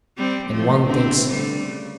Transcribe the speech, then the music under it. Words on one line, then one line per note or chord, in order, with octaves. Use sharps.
And one thinks....
G3 C4
F3 A3
D3 C4 E4
D3 G3 A3
C#3